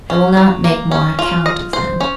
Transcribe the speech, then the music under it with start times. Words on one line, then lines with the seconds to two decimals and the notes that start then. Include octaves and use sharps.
I will not make more account of them.
0.10 C#4
0.37 F#3
0.64 A#3
0.91 C#4
1.19 F4
1.46 D#5
1.73 C5
2.01 C#4